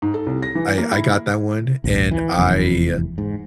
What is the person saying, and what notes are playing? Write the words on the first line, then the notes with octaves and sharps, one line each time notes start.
I I got that one and I
G#2
A4
C2
A#6
E3
A#3
E4
A1 D2
E3
F1 E2 E3
G#2